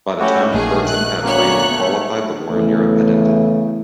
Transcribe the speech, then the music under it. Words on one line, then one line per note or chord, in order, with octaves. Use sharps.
By the time Berton had requalified, the war in Europe had ended.
A3 C#4 E4 F#4 G4
A#1 D#3 A3 G#4
F#6
D2 A#3 B3 C#5 F#6
A3
E2 C#3 E3 A3